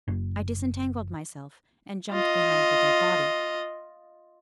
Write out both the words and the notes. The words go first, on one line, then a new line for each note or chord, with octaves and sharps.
I disentangled myself, and jumped behind the dead body.
F#1
F4 D#5